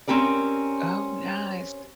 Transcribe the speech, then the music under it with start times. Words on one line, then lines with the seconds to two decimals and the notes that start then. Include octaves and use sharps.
Oh, nice.
0.07 C4 C#4 G4 A#4 D5